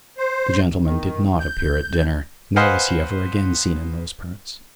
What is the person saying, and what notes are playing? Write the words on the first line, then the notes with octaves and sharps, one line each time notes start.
The gentleman did not appear at dinner, nor was he ever again seen in those parts.
C5
D#3
G6
B4 C5 D#5 F5 F#5 G#5